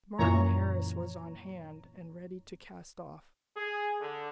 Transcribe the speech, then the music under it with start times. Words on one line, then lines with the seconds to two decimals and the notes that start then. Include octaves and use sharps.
Martin Harris was on hand, and ready to cast off.
0.18 F#2 A#2 E3 C#5 A#5
3.56 G#4
4.00 D3